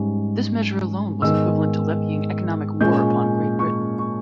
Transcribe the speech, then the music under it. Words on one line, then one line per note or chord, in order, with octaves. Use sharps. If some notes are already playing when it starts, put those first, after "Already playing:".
This measure alone "was equivalent to levying economic war" upon Great Britain.
Already playing: G#2 G3 C#4
G#2 D#3 G#3 B3 E6
A#2 G#3 C#4 G6
C#6
C#6